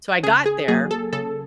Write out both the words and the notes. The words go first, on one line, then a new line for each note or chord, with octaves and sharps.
So I got there,
C#3 G#4
G#4
F#3 A#3 G#4
A4
C#3 A4